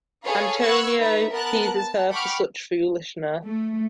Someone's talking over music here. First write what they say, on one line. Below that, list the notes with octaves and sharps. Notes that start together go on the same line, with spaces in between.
Antonio teases her for such foolishness.
G#4 A4 B4 C#5 F5
B3 C#6 E6 F#6 G#6
D#4 B4 E5 A#5
B3 A#4 A5 F#6
A5
F#5 G5 B5 C#6 D6 F6
A3